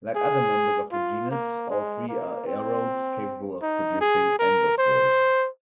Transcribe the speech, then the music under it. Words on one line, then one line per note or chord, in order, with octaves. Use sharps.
Like other members of the genus, all three are aerobes capable of producing endospores.
G#4
F4
A#3
G#3
A#3
C4
D#4
G#4
A#4
C5